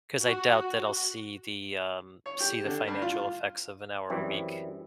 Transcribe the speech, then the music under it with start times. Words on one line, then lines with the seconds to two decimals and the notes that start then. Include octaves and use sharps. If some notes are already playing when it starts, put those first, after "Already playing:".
'cause I doubt that I'll see the, um see the financial effects of an hour a week.
0.22 F#4
2.26 C#5
2.40 G4
2.65 D3
2.87 G2
3.02 F4
4.10 F#2 E3 G3 C4